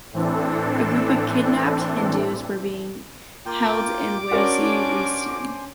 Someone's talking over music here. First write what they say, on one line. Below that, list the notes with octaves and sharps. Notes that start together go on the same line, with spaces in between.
A group of kidnapped Hindus were being held in Waziristan.
A2 E3 C4 D4 A4
A#3 F4 G5 D6
C#4 D4 F#4 A#4 C5 D5 G#5